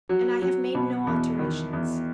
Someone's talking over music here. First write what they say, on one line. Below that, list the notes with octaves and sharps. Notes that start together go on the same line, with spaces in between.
And I have made no alterations.
F#3
F#3
B2
E2
D#3
E2